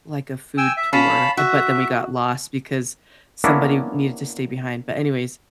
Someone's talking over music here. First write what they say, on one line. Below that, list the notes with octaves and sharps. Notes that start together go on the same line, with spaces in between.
like, a food tour, uh, but then we got lost because somebody needed to stay behind. But, anyways,
G5 G#5 E6
E5
C#4 F5 A5 B5
F#4 E5
A#3 B3 C#4 D4 E4